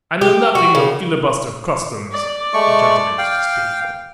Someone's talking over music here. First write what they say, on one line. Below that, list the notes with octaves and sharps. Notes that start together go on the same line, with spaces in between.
"I know nothing of filibuster customs." The gentleman was disdainful.
G4
F#4
C#3
D5
G#3 A3 C#6
F5 G5